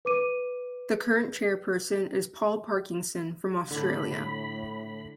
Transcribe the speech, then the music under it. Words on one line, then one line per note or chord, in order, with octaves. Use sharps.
The current chairperson is Paul Parkinson from Australia.
B4 D6 D#7
A2 D3 B5